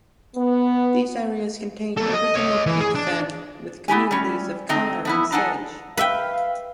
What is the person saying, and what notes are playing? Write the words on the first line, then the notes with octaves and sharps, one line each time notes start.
These areas contain original peat fen with communities of carr and sedge.
B3
A#3 A4
D#5
C#5 D#5
E3
G#4
D4
B3 E4 G4 G#5
G3 C#4
D3 A3 C4 D#4
F3 B3 E4
D4 D#4 A4 F#5 G#5 A5
B4 E5 F5 G5